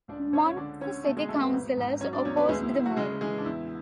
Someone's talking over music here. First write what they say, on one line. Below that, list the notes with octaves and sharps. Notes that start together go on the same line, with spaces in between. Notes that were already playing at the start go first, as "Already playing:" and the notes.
Moncton City Councillors opposed the move.
C#2 D4 D5
C#2 C#4 C#5
C#5
D3 D4 D5
D3 C#4 C#5
B2 A3 A4
G#3 G#4
E2 A3 A4
B3 B4
G#1
G#2
F#3 C#4 C#5
D4 D5
E2 C#4 C#5
B3 B4
D2 G#3 G#4
E4
D2 E4
F#3 F#4
C#3 G#3 G#4
E3 G#3 G#4
D4
E2 E4